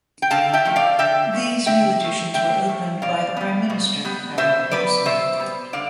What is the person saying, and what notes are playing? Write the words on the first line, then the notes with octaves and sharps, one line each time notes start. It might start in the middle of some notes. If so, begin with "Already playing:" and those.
These new additions were opened by the Prime Minister, Harold Wilson.
G5
D3 F5 A5
E5 G5
F3 A3
D5 F5
D3 E5 G5
F3 A3
D3 E5 G5
F3 A3
D3 E5 G5
F3 A3
B2 D5 F5
G3 B3
B2
G3 B3
B2 C5 E5
G3 B3 B4 D5
B2 C5 E5
G3 B3
D3 D5 F5